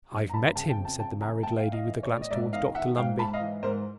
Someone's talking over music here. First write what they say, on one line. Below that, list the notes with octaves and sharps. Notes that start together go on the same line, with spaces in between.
'I've met him,' said the married lady, with a glance towards Dr Lumbey.
G2
A#5
G2 A5 B5
C#3 G5 A5
G5 A5
F2
G5 A5
C#3 G5 A5
E3 G#5 A#5
A2 G5 A5
F5 G5
A2
D#5 F5
E3
C#5
A2 D5
D#5
G#2 D5 E5
D#3 D#5 F5
D#3 E5 F#5
G#2 F5 G5
G#2 A5 B5
D#5 F5
E3
G#2 A#4 C5